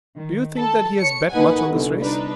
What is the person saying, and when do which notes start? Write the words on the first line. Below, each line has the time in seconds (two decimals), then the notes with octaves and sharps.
"Do you think that he has bet much on this race?"
0.17 D#3
0.57 A4 A5
0.99 C#5 C#7
1.31 A#3 D#4 B4 F#5 G#5
1.70 G1 C2
2.02 D4 D#4 B4